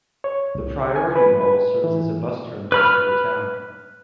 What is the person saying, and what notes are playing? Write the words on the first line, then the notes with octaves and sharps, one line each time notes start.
The Priority Mall serves as a bus terminal for the town.
C#5
C2
G#5
B4
B4
E3
B4 B5 F6